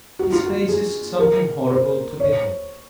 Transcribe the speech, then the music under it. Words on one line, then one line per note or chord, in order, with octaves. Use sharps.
His face is something horrible to behold.
F#4
F4
F#4
G#4
A#4
C5
C#5